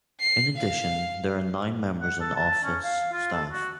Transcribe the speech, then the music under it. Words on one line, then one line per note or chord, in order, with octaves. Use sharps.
In addition, there are nine members in the office staff.
C7
F5
F#5
A4
A5
C#4
F5
F4
A4
F#4